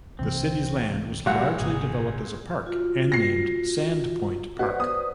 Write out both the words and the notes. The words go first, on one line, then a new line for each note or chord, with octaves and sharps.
The city's land was largely developed as a park and named Sand Point Park.
C2 C3 E3 C4
A#1 G3 F#4 E5 F#5
G#1 C3 A#3 G#4
F4 F#4
A#6 C7
F#4 B4 C5 D5
D#6